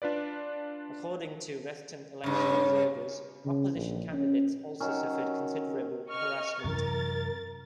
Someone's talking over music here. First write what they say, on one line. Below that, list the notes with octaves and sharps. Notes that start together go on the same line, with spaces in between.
According to western election observers, opposition candidates also suffered considerable harassment.
D4 F4 B4 D5
G2 C#3
C#3
A#1
C#4
D#3 F#3 C#4
D#5 C#6 F6
F#2 C3 E3 A#4 A6